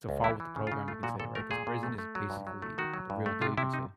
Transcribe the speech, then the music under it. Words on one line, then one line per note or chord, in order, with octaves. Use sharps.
to follow with the program, you can say, right? 'Cause prison is basically the real deal, you can say.
C#2
E3 E4
E3
C#3
F4
C#3
A3 F4
A#2 F#4
A#2 A4
A3 A#4
A#2 G#4
A#2
A3
A3
F#3
G2
F#3
A3
D#3 F#4
F#3
G2
A3
C3 F4
C3 E4
D#4